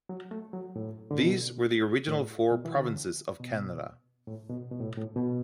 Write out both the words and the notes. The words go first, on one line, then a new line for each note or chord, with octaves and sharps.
These were the original four provinces of Canada.
F#3
A3
F#3
A2
D3
B2
A2
B2
E3
D3
B2
A2
B2
B2
A2
A2
B2